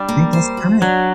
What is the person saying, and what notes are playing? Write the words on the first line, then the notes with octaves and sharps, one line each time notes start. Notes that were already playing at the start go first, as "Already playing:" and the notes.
be just kin
Already playing: G3 D4
A#3
C5
F#4
F#3 D4